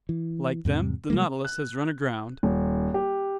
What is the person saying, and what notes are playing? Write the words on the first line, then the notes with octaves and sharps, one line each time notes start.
"Like them, the Nautilus has run aground!"
E3
E2 G#2 C3
C3 G3 G#3 A#3
F#6
D#1
G4